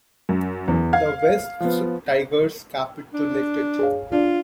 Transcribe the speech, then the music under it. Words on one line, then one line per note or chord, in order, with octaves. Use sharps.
The Wests Tigers capitulated.
F#2
E2
F5 G#6
F3 B3
D4
G#4 C#5 F5
D4 F4